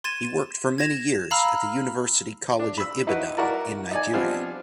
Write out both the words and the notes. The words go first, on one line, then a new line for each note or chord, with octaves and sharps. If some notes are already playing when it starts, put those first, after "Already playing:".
He worked for many years at the University College of Ibadan in Nigeria.
C6 G#6 A6 D#7 E7
G#6 A#6 E7 F7
F5 A#5 B5 E6 F6
D4
B5 E6
D#4 E4 F#4 B4
E4 F#4 A#4 D5
D#4 D5 G#5
F3 G3 B3 C4 D4 F4